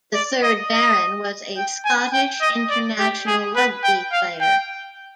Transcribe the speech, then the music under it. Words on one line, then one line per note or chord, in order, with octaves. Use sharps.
The third Baron was a Scottish international rugby player.
D5
D#5
D#5
G5
G#5
G5
D#5
D5
G4
G#4
B4
G5
F5
G5